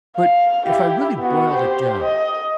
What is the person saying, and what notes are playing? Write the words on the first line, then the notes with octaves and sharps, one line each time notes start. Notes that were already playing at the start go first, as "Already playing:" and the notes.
but if I really boiled it down,
F5
E4 G4
B3 F#4
G4 C5
D#5